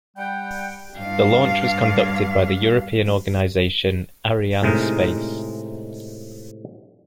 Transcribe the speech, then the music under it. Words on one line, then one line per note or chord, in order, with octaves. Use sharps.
The launch was conducted by the European organisation Arianespace.
G3 F#5 G5
G2 F5
A2 C3 G#3 D#4 A#4